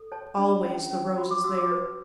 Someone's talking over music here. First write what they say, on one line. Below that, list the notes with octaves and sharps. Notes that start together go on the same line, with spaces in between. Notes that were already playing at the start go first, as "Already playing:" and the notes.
Always the rose is there.
Already playing: A4
C#5 A5
D4
C#4
C#4
F#4 B5
D6
F#4 E6
D6
B4